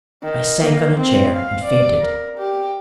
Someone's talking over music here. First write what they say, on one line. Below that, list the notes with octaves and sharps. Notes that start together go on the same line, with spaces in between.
I sank on a chair and fainted.
D#3
A#3
C4
F5
D5
A#4
G4